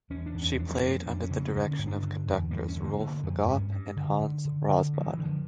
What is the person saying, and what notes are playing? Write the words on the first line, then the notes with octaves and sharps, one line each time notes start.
She played under the direction of conductors Rolf Agop and Hans Rosbaud.
E2 C#4
D4
E2
C#4
F2 D4
C#4
F2
A#3
F2 D4
C#4
C#3
A#3
C#4
D3 A#3
C#4
G2
D4
D3
E2
G2 A#3
C#4
D3
A#3
D3
F2
G2 C#4
G2
D3
D3
D3
D3
G2
F3
E3
D3
F3